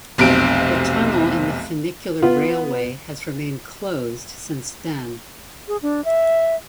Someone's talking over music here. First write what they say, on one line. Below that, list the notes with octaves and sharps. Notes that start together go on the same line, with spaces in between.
The tunnel and the funicular railway has remained closed since then.
F1 B1 C3 D7
B3 F4
G#4
D4
E5